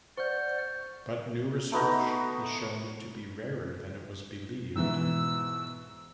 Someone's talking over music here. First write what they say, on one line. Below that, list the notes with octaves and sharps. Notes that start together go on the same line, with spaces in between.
But new research has shown it to be rarer than it was believed.
C5 D5 F#5 C#6 F6 G6
A3 B3 D#4 F#4
G#2 B2 E3 E6